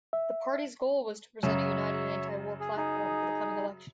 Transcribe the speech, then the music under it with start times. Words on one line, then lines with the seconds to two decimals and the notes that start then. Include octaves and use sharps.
The party's goal was to present a united anti-war platform for the coming election.
0.13 E5
1.43 F#2 C#3 F#3 C#5 E5
2.60 G#4
2.77 D#4 G#4